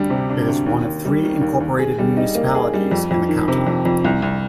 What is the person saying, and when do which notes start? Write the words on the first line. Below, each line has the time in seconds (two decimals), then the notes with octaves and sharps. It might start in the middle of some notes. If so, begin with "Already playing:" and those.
It is one of three incorporated municipalities in the county.
Already playing: D2 G3 D4
0.10 C3
0.29 D4
0.48 D2
0.66 D#2
0.85 D#2
1.05 G3
1.23 D#3
1.41 D#2
1.60 D#2
1.79 G#4
1.98 G3
2.17 D#4
2.35 A#3
2.55 G#4
2.73 G3
2.91 F2
3.11 F2
3.28 D#3
3.48 C3
3.67 F2
3.85 F2
4.04 C2
4.22 C2